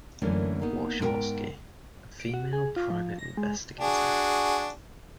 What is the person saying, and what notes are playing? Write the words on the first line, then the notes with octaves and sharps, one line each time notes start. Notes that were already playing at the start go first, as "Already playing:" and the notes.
Warshawski, a female private investigator.
F#2 D3 E3 A3 A#3 C#4
A#3 B3 D#4
G#2 B3 C#4 A#4 G5
D7
F#4
G#4
F4
F3
A#6
G#3
D4 F#4 G#4